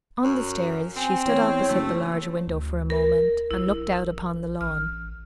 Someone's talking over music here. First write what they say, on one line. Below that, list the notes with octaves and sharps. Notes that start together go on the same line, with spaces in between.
On the stairs she stood opposite the large window for a moment, and looked out upon the lawn.
F#2
C4 G#5
E2 C#5
F#1 A3
D2
A#4
A#1 E4
A1 F6